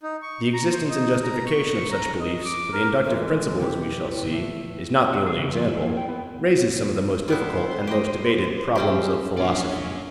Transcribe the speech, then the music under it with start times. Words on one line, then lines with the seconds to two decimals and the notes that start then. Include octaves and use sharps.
The existence and justification of such beliefs--for the inductive principle, as we shall see, is not the only example--raises some of the most difficult and most debated problems of philosophy.
0.03 D#4
0.22 C#6
0.53 A#5
0.71 C5
0.89 D#4
1.23 A#5
1.46 C#6
1.91 A#5
2.20 D#5
2.45 D6
2.73 A#4
3.04 E3 G#3 A4
3.60 B2 D3 G3 E4 G4 B4
4.25 A#2 D3 F3 A3
5.13 F#4
5.26 G#4
5.39 C#3
5.53 F3
5.68 E4
5.85 A#3
5.97 G5
6.09 B3
7.28 G3 B3 E4 C5
7.87 G4 D#5
8.76 C3 C4 C#4 G4
9.37 A#1 F3 F#3 G#3 C#4 D5 F5